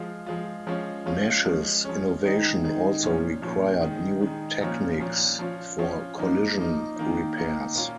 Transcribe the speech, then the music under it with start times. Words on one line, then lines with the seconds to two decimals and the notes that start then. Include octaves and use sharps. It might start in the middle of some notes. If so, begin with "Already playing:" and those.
Nash's innovation also required new techniques for collision repairs.
Already playing: F3 G#3 F4
0.26 F3 G#3 F4
0.67 F3 G#3 C#4 F4
1.06 F3 G#3 C#4 F4
1.45 F3 G#3 C#4
1.85 F3 G#3 C#4
2.24 D#3 G#3 D#4
2.64 D#3 G#3 D#4
3.03 A#2 F3 C#4
3.42 A#2 F3 C#4
3.81 D#3 G#3 D#4
4.21 D#3 G#3 D#4
4.60 A#2 F3 C#4 F4
5.00 A#2 F3 C#4 F4
5.39 F3 C#4 F4
5.78 F3 C#4 F4
6.18 F3 A#3 D#4
6.58 F3 A#3 D#4
6.96 D#3 A#3 D#4
7.36 D#3 A#3 D#4
7.76 A#2 A#3 C#4 F4